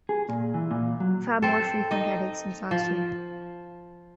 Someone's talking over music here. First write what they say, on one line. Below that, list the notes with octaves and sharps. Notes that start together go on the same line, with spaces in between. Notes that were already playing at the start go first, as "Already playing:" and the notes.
I've had more frequent headaches since last year.
G#4
A#2
E3
A#2
F#3
C4 A4
D#4 D#5
F3